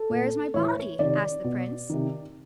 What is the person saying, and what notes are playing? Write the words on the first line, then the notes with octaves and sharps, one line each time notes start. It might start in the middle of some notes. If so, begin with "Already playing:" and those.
"Where is my body?" asked the Prince.
Already playing: A4
A#2
A2 E3 C#5
C3 D#3 D5
B2
C3 D#3